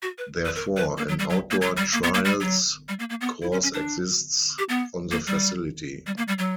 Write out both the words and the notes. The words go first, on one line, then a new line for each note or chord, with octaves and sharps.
Therefore, an outdoor trials course exists on the facility.
F#4
B4
B4
A#4
B4
A#3
F#3
G3
F#3
A#3
F#3
G3
A#3
B3
A#3
G3
F#3
G3
A#3
A#3
B3
E4
C#4
C#4
D4
G4
B3
A#3
G3
G3
A#3
G3
F#3